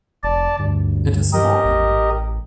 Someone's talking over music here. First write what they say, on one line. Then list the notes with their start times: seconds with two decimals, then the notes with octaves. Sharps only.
It is morning.
0.23 F1 D5 A5
0.59 D2 G2
1.33 G4 A#4 D#5
1.65 A1